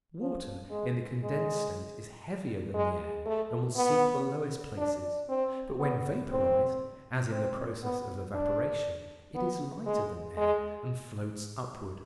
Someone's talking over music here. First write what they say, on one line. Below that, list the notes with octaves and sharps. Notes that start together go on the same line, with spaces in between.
Water in the condensed state is heavier than the air and will seek the lowest places, but when vaporized, as in the process of evaporation, it is lighter than air and floats upward.
F3
G#3
G#3
G#3
A3
B3
D4
C4
B3
C4
C4
B3
D4
B3
G#3
G#3